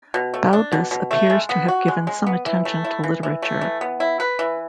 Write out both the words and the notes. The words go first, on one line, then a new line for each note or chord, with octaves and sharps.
Balbus appears to have given some attention to literature.
B2
A3
D4
B2
B2
A3
G#3
B3
F#4
G#3
G#3
B3
E3
A3
E4
E3
E3
A3
E3
B3
E4
B4
E3